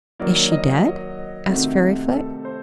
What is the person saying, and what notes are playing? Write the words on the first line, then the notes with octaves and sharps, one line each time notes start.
"Is she dead?" asked Fairyfoot.
D#3 F#3 A#3 D5
D#5
F#4
C3 D#3 A3 C4 F#4
A4
C5